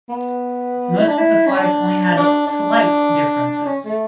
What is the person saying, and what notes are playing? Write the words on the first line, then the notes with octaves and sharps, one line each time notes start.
Most of the flags only had slight differences.
B3
E4
D4
E4
C#4
D4
D4
D4
C#4
A3